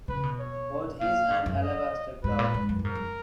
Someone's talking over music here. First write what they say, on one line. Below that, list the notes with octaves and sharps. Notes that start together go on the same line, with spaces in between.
What is an alabaster brow?
C#3 B4
B2
C#5
A#2 F5
G#2
F#2
D#5
G#2 B4
A#2
G#2
F#2
A#2
G#2 A#4
F#2